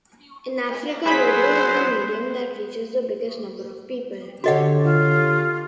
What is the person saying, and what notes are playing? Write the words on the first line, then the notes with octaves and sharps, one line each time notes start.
In Africa, radio is the medium that reaches the biggest number of people.
F#3 G#4 C5 B5 B6
D3 F#4 G4 A4 C#5 D#5 F#5
F4